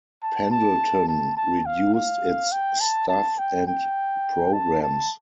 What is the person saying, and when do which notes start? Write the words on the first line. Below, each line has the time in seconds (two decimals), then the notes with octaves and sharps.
Pendleton reduced its staff and programs.
0.23 A5
0.51 A5
1.09 A5
1.37 A5
1.66 F5
1.94 F5
2.52 G5
2.81 A5
3.09 A5
3.38 G5
3.67 G5
4.53 A5
4.82 A5